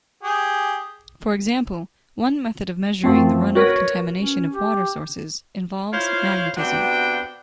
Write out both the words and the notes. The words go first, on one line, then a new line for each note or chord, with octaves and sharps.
For example, one method of measuring the runoff contamination of water sources involves magnetism.
G4 G#4
F#2 F3 A3 C4
F#4 A#4 B4 C#5
C#4
G4
E4 F4 C5 C#5 F5
C3 B3 D4 F#4 G5